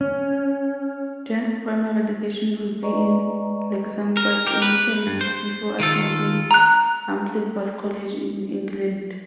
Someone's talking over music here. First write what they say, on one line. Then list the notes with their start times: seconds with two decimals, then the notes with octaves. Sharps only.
Jean's primary education would be in Luxemboug initially before attending Ampleforth College in England.
0.01 C#4
2.83 G#3 B4 D5 D#5 A#5 C#6
4.17 A#4
4.47 G4 A#4
4.62 B4
5.07 G2
5.21 C5
5.80 D#3 F4 A4
6.51 A#5 F#6